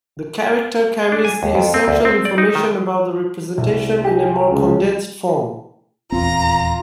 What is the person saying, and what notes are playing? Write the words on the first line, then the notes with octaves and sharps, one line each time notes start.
The character carries the essential information about the representation in a more condensed form.
D4
G#5
D#2
F2
C4
D2
C4
D5
D#4
D#3
C2
G4 D#5 G#5
C#2
D#1 E2 C4 F4 A#5